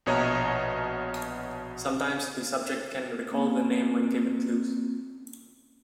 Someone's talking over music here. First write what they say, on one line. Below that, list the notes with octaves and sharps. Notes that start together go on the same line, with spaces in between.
Sometimes the subject can recall the name when given clues.
A#1 B2 C#5 D#5 A#5 F6
A#3 C4 C#4